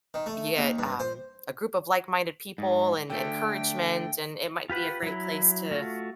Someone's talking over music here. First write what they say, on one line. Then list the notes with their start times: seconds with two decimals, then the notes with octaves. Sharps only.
yet, um, a group of like-minded people and encouragement and it might be a great place to
0.14 D#3
0.26 A3
0.57 D#2
0.79 G2
1.00 C5
2.58 G#2
3.10 D3 A3 G5
4.70 F4 G4 B4 F#5
5.03 F#3 E4
5.71 A3 F4 F#4